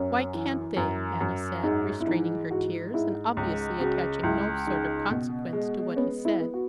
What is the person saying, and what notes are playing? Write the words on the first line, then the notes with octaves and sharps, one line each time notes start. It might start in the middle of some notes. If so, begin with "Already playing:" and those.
"Why can't they?" Anna said, restraining her tears, and obviously attaching no sort of consequence to what he said.
Already playing: F#2 C#4
E3
F#2
F#2
G#2 D#4
E4
E3 D#4
G#2 F#4
G#2 E4
C#2
C#3 F#4
C#2 E4
C#3 D#4
B2
G#3
B3 C#4
E4
B3
F#4